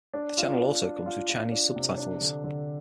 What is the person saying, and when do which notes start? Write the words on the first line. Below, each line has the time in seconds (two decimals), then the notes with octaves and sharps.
The channel also comes with Chinese subtitles.
0.13 D4
0.38 F4
0.60 D4
0.84 D4
1.06 F4
1.29 F4
1.52 D4
1.76 C3
1.98 D4
2.21 D3
2.44 D3